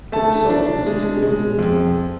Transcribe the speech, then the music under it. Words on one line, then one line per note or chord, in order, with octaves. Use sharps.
It was sold to the city of Wilmington.
A3 A5
D4
G#3
G#3
F2